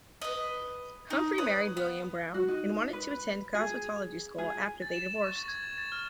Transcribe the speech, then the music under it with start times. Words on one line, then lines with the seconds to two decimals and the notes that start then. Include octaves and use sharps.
Humphrey married William Brown and wanted to attend cosmetology school after they divorced.
0.22 B4 D#5
1.10 D#4
1.38 B4 C#5 B5 D#6
1.77 B3
2.34 F#4
2.48 D#4
2.93 B4
3.55 G#4
4.38 G#4
4.82 A6
4.93 E7
5.05 E7
5.24 C#6
5.36 A6
5.48 G#6
5.63 G#6
5.78 A6
5.92 F6